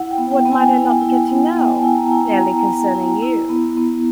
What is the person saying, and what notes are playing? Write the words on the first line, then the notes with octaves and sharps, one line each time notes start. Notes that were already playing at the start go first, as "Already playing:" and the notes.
What might I not get to know, nearly concerning you?
Already playing: E4 F#5
G5
B3
G5
B3
G#5
E4
E4
B3
F#5
B3 G5
G#5
A5
E4
A#5
E4
B3 A#5
B3
E4
E4
B3
B3